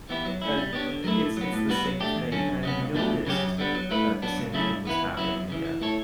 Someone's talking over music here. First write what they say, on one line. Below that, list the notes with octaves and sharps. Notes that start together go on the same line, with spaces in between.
And i it's it's the same thing, and I noticed that the same thing was happening again,
E3 B3 E4 G4
F#3
A3 C#4 E4
G3
B3 D4 G4 C#5
D3
F#3 A3 E4
A2
F#3 B3
A2
G3 B3 F#4 B4
F#3
A3 D4 G4
E2
D3 F#3 C#4
F#2
C#3 F#3 B3
C#2
B2 A3 D4 G4
C#2
C#3 F#3 C#4 G4
F#2
D3 G3 B3
F#3
A3 E4 B4
G2
F#3 B3 D4
C#2
C#3 F#3 A3 E4
G2
E3 B3 E4 B4
C#2
C#3 F#3 B3 E4
F#2
C#3 E3
E3
A3 E4 A4 C#5